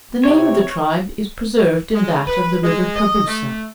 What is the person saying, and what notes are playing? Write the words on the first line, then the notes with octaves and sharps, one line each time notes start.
The name of the tribe is preserved in that of the river Caboosa.
C3 C#5
G#3
B4
G#3
D#5
A3